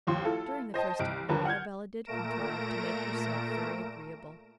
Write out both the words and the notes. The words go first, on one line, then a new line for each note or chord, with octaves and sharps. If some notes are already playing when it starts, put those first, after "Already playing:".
During the first evening Arabella did contrive to make herself very agreeable.
F1 D#2 F3 C6
E4 F4 A4
C5 D#5 G5 A5
C2 D7
D#2 D3 F3 A#4 B4 A5
F#5 F6 G6 G#6
A#2 A3 A#4 A#6 D7 E7